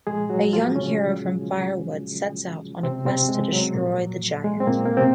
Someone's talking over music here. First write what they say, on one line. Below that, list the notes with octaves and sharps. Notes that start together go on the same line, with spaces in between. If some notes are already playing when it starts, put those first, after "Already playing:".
A young hero from Firewood sets out on a quest to destroy the giant.
A#2 F3 G#3 G#4
F#3 F#4
F3 F4
C#3 C#4
C3 C4
C3 C4
G#3
F#3
A#2 F3 A#3
F#3
G#3
C4
A#2 A#3
A#3
C3 C4